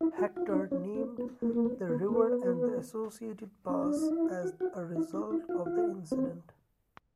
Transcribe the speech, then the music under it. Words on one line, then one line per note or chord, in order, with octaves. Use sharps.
Hector named the river and the associated pass as a result of the incident.
E4
F#4
F4
D#4
D4
C#4
C4
B3
A#3
A#3
B3
B3
A#3
B3
C#4
D4
D#4
E4
F4
F#4
F#4
E4
D#4
E4
F4
F4
C4